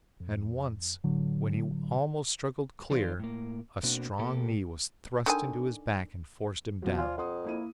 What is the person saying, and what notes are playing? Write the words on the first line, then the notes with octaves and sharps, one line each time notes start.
And once when he almost struggled clear, a strong knee was thrust into his back and forced him down.
F2
A2 D3 F#3
E3 D#4 F4 C5 D5
A2 A#3
B2 A#3 C4 D4 F#4
B2 A#3 G4 A4
D3 D#3 G#5
B2 F3 F#3
F4 C5 D5 G#5
F2 F#5 C6 D#6
A#3 E4 D#7